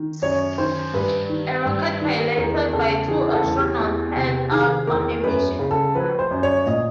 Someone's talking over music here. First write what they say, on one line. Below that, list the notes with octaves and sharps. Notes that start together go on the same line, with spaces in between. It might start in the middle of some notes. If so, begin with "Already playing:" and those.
A rocket piloted by two astronauts heads out on a mission to Mars.
Already playing: D#3
F#2 C#5
D#3 C5
G2 B4
D#3
G2
D#3
E2 A#4
C#3 A4
E3 G#4
A4
E2
G4
E2
C3
D#3 G#4
E2 A#4
F#2 B4
C#3
A4
F3 B4
C5
F#2
C#5
A#2 D#5